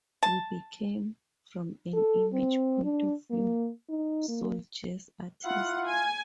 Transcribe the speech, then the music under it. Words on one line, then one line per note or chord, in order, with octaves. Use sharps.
We became, from an image point of view, soul jazz artists.
A5
A4
C4
D4
A#3
D#4
A#3
E4 F4 F5 F#5
G#5